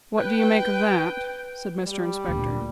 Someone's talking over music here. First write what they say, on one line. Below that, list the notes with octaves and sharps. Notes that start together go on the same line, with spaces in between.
'What do you make of that?' said Mr Inspector.
B4 G5
G3
D2 A#2 D3